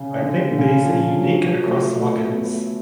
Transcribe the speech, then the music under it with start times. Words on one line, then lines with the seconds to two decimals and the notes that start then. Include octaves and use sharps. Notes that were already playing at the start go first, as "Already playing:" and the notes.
I think these are unique across logins.
Already playing: C#3
0.22 D3
0.51 D3
0.58 C#3
0.85 F3
0.93 D3
1.19 F#3
1.28 F3
1.46 F#3
1.65 A3
2.00 A3
2.24 B3
2.48 A3